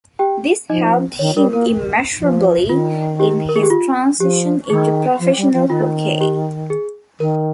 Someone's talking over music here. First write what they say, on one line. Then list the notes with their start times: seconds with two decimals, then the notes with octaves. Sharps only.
This helped him immeasurably in his transition into professional hockey.
0.19 G4 G5
0.70 F3 D#4 D#5
1.19 D#3 C#5
1.36 G3 A#4
1.53 A#3 A#4
2.20 F3
2.69 D#3 F4
3.20 G4
3.49 A#4
3.56 G#4
3.63 G4
3.70 F4
4.20 F3 G4
4.70 D#3 G#4
5.19 F3
5.37 G3
5.53 F3
5.70 D#3 F4
6.21 G4
6.70 G#4
7.20 D#3 A#4